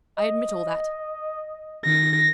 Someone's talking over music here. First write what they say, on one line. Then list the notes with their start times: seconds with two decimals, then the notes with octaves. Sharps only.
I admit all that.
0.17 D#5
1.85 D#3 A#6